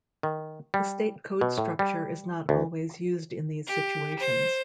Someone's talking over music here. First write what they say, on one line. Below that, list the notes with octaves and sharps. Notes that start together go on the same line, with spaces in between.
The state code structure is not always used in these situations.
D#3
G3
B2
A2
G3
D2
G4
C5